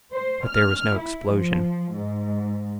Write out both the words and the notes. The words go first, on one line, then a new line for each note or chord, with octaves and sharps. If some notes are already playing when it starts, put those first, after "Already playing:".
But there was no explosion.
C5
F6
E4
F3
G#2